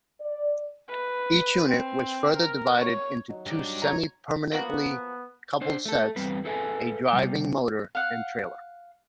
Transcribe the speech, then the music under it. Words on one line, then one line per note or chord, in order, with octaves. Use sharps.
Each unit was further divided into two semi-permanently-coupled sets, a driving motor and trailer.
D5
B4
C4
A#4
C#5
F#3 D#4
G2 D5
C#5 A#5
F3 A#3 B3 F#4
D4 C5
A3 A4
E2 G3 C4 B4
G#4 A4 B4 E5 F#5 G#5
C3 G3
F5 F#5